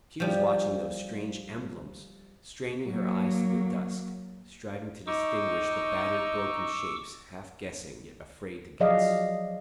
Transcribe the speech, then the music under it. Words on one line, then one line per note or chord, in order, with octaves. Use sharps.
She was watching those strange emblems, straining her eyes through the dusk, striving to distinguish the battered broken shapes, half-guessing, yet afraid to guess.
F3 G3
F#3 A#3
D#4 C#6 D6 E6
F3 F#3 G#4 D5 D#5 F5